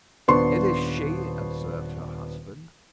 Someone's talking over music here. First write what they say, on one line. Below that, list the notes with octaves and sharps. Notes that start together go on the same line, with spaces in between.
"It is she," observed her husband.
D#1 B3 D4 C5 C6 C#6